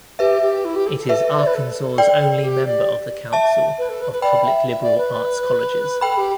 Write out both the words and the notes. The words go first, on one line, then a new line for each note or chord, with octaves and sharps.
It is Arkansas's only member of the Council of Public Liberal Arts Colleges.
G4 B4 E5
G4
E4
G4
A4
A4
B4 E5
D5
B4
A4
D5 G5
G4
D5
E5 A5
B4
A4
B4
B4
D5 G5 B5
E5
E5
D5
B4
A4 G5 B5
G4